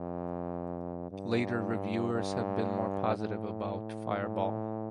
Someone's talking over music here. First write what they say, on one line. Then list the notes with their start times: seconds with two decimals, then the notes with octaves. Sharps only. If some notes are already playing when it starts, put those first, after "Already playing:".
Later reviewers have been more positive about "Fireball".
Already playing: F2
1.11 G2
2.14 G2
3.18 A2
4.21 A2